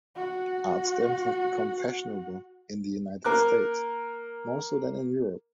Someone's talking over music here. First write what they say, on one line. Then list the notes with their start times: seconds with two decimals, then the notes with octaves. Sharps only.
Art stamps have become fashionable in the United States, more so than in Europe.
0.15 F#4 F#5
3.24 A#3 A#4 D6 F#6